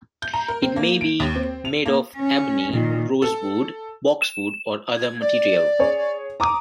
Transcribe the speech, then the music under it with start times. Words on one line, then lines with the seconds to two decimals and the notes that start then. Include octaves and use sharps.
It may be made of ebony, rosewood, boxwood or other material.
0.22 G6
0.34 A#5
0.48 A#4
0.62 C4
0.76 A#3
1.01 D7
1.20 D#2
1.35 C4
1.65 F7
1.86 A#3
2.17 C#4
2.73 A#2 D#3
3.22 A4
4.22 E7
4.97 G#6
5.20 D5
5.79 G#4 C#5
6.40 A#5 D6 D#6